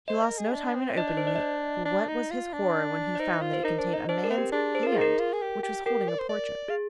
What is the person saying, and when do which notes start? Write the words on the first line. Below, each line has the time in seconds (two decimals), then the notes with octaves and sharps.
He lost no time in opening it, but what was his horror when he found that it contained a man's hand, which was holding a portrait.
0.08 C5 D#5
0.23 A#4
0.38 G#4
0.52 D4
0.76 C4
0.97 D4 D#5
1.08 D5
1.17 C5
1.27 D5
1.36 D#5
1.41 D5
1.86 D4
2.08 D#4
2.31 F4
2.53 D4
3.15 D5
3.20 D#4 C5
3.41 F4
3.53 C5
3.63 D#4 A#4
3.79 D4 C5
3.94 D#4 D#5
4.09 D4 C5
4.24 A#4
4.30 C4
4.38 G4
4.52 D4 G#4
4.75 C5
4.83 A#4
4.87 F4
4.92 G#4
4.97 D#4 A#4
5.20 F4
5.33 G#4
5.42 G4
5.63 G4
5.86 G4 A#4
6.09 D5
6.19 C5
6.29 D5
6.68 G#4 F5